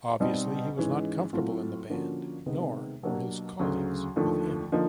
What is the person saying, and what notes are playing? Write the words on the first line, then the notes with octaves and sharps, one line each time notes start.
Obviously he was not comfortable in the band, nor were his colleagues with him.
B2 G3 C4 D#4
G#2 E3 G#3 C#4
A2 F#3 A3 C4 F4
D3 F3 A#3 C#4 F#4
C3 D#3 G#3 B3
B2 F#3 A#3 D4 G4
D2 C#3 F#3
D#2 D3 F3 A3
D3 F3 A#3 D#4